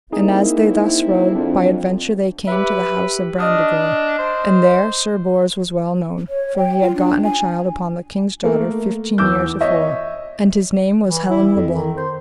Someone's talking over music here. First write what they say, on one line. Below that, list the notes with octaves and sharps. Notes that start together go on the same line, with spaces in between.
And as they thus rode, by adventure they came to the house of Brandegore, and there Sir Bors was well known, for he had gotten a child upon the king's daughter fifteen year to-fore, and his name was Helin le Blank.
A#3 C4 D#4 E4 G#4
F2 C4 D4
G4 B4 E5
D4 D#5 D#6 F6
C5
C#5
G5
F4
D4
G#5
A3 A#3
E2 D6 E6 G6
C#5 D#5 E5
E3
E4
F2
D#3
C5